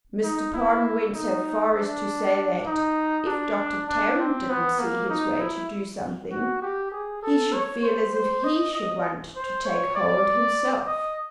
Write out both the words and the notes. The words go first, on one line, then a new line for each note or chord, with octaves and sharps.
Mr. Pardon went so far as to say that if Dr. Tarrant didn't see his way to do something, he should feel as if he should want to take hold himself.
D#4
E4
D#4
D4
D#4
D4
D4
C4
B3
A#3
D#4
E4
F#4
G4
G#4
A4
C#5
C5
C5
D#5
D#5
C5
C#5
D5
D#5